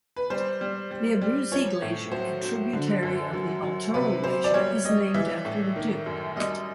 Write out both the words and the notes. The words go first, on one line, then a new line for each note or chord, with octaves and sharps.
The Abruzzi Glacier, a tributary of the Baltoro Glacier, is named after the Duke.
B4
G3 C5
G3
G3
G3
F3 C#5
A2
F#3 C5
F#3
D3
F#2
F#3
F#3
C3 B4
F#3 C5
D5
G3 C#5
G3 D#5
E3 E5
A2
D#3
F#2
G3 D#5